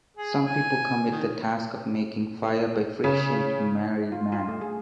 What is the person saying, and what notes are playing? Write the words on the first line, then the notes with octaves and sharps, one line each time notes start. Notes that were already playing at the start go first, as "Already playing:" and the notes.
Some people commit the task of making fire by friction to married men.
G#4
G#5
D#3
C#3
F4
F4
A3
G#4